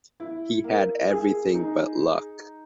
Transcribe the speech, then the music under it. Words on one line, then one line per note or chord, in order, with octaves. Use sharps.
He had everything but luck.
E4
A#3
G#4
D#4